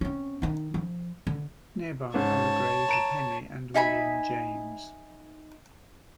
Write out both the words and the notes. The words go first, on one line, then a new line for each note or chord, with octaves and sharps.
Nearby are the graves of Henry and William James.
C4 C#4
D#3 D#4
F3
D3
G#2 C#4 C#5 A5
A#5 D7 E7
D#4 E5 G#5 B5